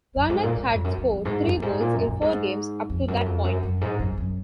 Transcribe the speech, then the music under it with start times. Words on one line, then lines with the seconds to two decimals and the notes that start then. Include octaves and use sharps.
Vanek had scored three goals in four games up to that point.
0.16 F#2
0.29 G#2
0.43 A#2
0.56 G#2
0.71 F2
0.84 F#2
0.98 F2
1.12 F2
1.25 G#2
1.43 F#2
1.57 F#2
1.62 G#2
1.80 A#2
1.94 F#2
2.08 F#2
2.21 G#2
2.90 F2
3.08 F#2
3.26 F2
3.44 F#2
3.63 F#2
3.81 G#2
4.00 F#2
4.17 F#2